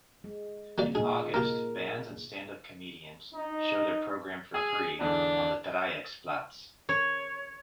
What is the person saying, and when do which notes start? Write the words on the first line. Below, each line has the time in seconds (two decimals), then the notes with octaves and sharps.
In August bands and stand-up comedians show their program for free on the Dreiecksplatz.
0.24 G#3
0.78 A#3 G4 D5
0.95 A#2 G#3 D#4 G#4
1.34 A#3 G4 A#4
3.35 D#4
4.54 G#4 G#5 E6 G#6
5.00 E2 G#2 D3 D4
6.89 C#5